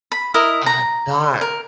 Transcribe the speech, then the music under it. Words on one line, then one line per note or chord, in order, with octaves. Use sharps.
Uh, not,
B5
E4 A#4 D#5
A#5
A#4